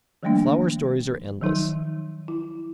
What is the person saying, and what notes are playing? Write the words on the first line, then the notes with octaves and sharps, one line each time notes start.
Flower stories are endless.
D#3 F3 G3 A3 A#3 D4
D#3 F3 F#3 D#4
E4